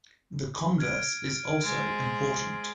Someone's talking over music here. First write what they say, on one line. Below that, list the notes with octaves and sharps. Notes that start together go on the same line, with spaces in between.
The converse is also important.
F6 G#6 D7
G#3 C5 G#6 A6